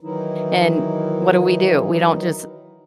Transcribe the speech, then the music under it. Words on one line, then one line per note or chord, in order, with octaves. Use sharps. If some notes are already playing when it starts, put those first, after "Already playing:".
And what do we do? We don't just,
D#3 E3 F#3 D#4 E4